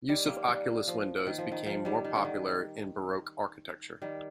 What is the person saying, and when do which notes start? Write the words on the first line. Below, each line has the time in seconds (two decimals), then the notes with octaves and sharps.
Use of oculus windows became more popular in Baroque architecture.
0.09 D#3 G3
0.28 G3 A#3
0.48 G3 A#3
0.87 F3
1.27 D#3
1.38 F3
1.52 D#3
1.66 F3
1.85 D#3 G3
2.04 D#3
2.16 D3
2.25 D#3
4.02 D#3 G3